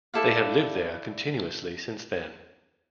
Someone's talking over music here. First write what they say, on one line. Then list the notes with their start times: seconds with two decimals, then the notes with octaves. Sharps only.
They have lived there continuously since then.
0.14 E4 A4 D5 F5